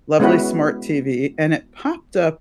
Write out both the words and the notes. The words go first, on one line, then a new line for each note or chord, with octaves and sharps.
lovely smart TV and it popped up
G#3 B3 C#4 E4 F#4 B4